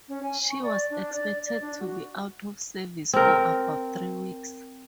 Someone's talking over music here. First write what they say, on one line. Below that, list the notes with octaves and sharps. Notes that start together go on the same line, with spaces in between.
She was expected to be out of service for about three weeks.
C#4
G#5
C#6
D5
D4
D5
D5
D4
F#4
C4 A#4